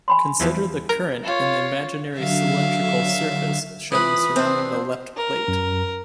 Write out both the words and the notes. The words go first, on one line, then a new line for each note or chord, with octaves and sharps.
Consider the current in the imaginary cylindrical surface shown surrounding the left plate.
G#5 B5 C6
E2 E3 F3
A#4
F4 C#5
D3 F#3 E5 F5
E3 F4 B4 B5 D#6
C4 D4 C5
A#4
F#2